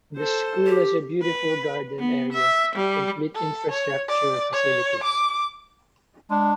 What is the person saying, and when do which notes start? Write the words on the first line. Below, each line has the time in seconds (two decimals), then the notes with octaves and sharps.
The school has a beautiful garden area complete infrastructure facilities.
0.17 A4 C5
0.66 G4
1.22 B4
1.99 B3
2.32 E5
2.76 G3
3.35 A4
3.71 C#5
4.08 D5
4.53 C#5
5.04 D6
6.30 G#3 D4